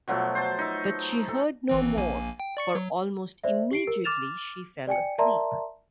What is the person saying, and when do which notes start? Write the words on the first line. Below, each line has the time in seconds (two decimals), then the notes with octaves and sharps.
But she heard no more, for almost immediately she fell asleep.
0.08 B2 F3 F#3 A3
0.35 C5 A5
0.59 D#4 E5
1.28 A4
1.69 G#1 E3 C4
1.97 A#1 A#3 G#5
2.40 G5
2.57 D5 C#6 C#7
2.75 F#3
3.44 C5 D5 E5
3.71 G4 C7 D7
3.87 A#4
4.04 D6 F6 A6 E7 F7
4.87 D5 G5 G#5 C#7
5.18 A#4 D5 E5 A5 A#5 C6